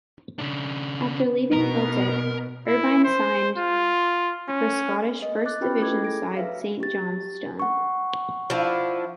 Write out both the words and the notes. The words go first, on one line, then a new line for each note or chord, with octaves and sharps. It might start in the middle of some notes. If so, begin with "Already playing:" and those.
After leaving Celtic, Irvine signed for Scottish First Division side Saint Johnstone.
C#3 D4
B2 B3 A#4
E4
C5
F4
C#4
D#5
D6 F#6 A6
C#4 F4 G4 B4 G5 B5
A3 E4 A4 G5 D6 G#6
G#4 A#6 D7
B4 E5 F5
G4 A6
F#5 C#6
F3 D4 E4